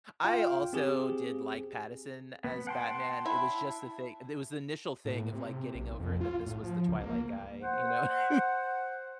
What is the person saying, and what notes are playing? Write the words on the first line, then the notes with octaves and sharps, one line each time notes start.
I also did like Pattinson as Batman. It was just the thing it was the initial thing of, like, getting over that this was the Twilight guy. You know what I mean?
F4 F5 G5
C4 G4 G#4
B3
F#5 G5 A5 C6
E4
A2
C3
B1
F2
F4
A2
F3
C#2
A#3
C5 F#5